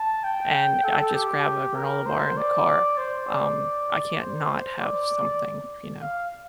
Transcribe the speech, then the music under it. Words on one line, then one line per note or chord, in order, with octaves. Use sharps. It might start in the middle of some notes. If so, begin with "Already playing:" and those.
and I just grab a granola bar in the car, um, I can't not have something, you know,
Already playing: A5
G5
A4
G4
A#4
C5
D5
C5
D5
C5
D5
F5